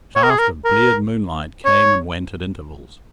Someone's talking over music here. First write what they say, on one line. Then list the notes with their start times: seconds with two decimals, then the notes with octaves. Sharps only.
A shaft of bleared moonlight came and went at intervals.
0.16 C#5
0.24 A#4
0.30 G#4
0.39 A#4
0.65 A#4
1.65 C#5